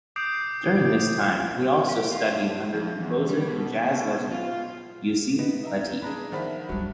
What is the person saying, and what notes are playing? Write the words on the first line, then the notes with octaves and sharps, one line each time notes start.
During this time, he also studied under composer and jazz legend, Yusef Lateef.
D6 D#6 G6 C7 D7
G4
F4
G2
F2
E2
G3
B2
B2
F4
B3 D#4 E4 B4
D#5 E5 A#5
D4 G#4 A#5 B5
D#3 F3 D5 E5 F#5 B5
G1 F#3 G3 D4